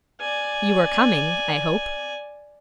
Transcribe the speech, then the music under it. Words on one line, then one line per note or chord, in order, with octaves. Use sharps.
'You are coming, I hope?'
D5 G#5